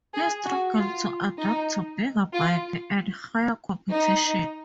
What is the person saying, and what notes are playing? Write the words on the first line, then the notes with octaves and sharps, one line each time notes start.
He struggled to adapt to bigger bike and higher competition.
G#4
F#4
F4
D#4
F4
D#4